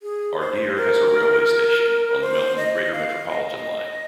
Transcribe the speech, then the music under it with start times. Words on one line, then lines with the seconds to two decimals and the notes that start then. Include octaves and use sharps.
Ardeer has a railway station on the Melton greater-metropolitan line.
0.03 G#4
0.40 C5
0.76 A#4
2.21 C5
2.56 D#5
2.92 F5
3.29 D#5